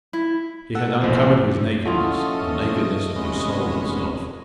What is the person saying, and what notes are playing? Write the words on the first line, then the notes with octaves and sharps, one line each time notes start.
He had uncovered his nakedness--the nakedness of his soul itself.
E4
A4 F#5 E6 F#6
A#1 E2 F3 C5
F3 C#4 E4 F4 A4 D#5 F#5
F1 G#3 B3 C#4